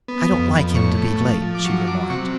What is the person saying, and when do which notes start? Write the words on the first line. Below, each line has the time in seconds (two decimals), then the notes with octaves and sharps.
"I don't like him to be late," she remarked.
0.08 B3
0.31 F2
0.53 F2
0.75 A2 C#6
0.97 A3
1.21 F3
1.42 F3
1.55 D6
1.65 F#3 C#6
1.87 F#3 D6
2.10 C3 C#6